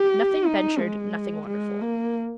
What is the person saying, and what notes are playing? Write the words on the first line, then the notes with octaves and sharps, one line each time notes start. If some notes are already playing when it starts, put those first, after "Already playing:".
Nothing ventured nothing wonderful.
Already playing: G4
D#4
G#3
G#3
A#3